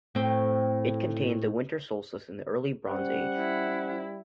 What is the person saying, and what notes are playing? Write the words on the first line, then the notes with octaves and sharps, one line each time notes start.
It contained the winter solstice in the Early Bronze Age.
A2 C4
G3 C#4 C5 F#5
E4